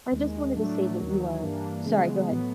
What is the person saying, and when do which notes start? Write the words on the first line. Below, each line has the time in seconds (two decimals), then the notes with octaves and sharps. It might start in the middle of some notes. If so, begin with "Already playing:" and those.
I just wanted to say that you are Sorry, go ahead.
0.11 D#2 D#3 G#3
0.55 A2 F#3 A3 D4
0.98 D#2 D#3 F#3
1.41 G2 E3 G3 A#3 D4
1.85 C#3 E3 G#3 B3
2.29 A2 F#3 B3